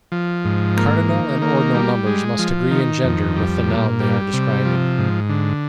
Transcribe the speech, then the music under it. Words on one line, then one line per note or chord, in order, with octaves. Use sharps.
Cardinal and ordinal numbers must agree in gender with the noun they are describing.
F3
G#2
A#3
D#3
A#3
G3
G#3
F3
D#3
F2
G3
A#2
G3
C3
F3
G#2
D3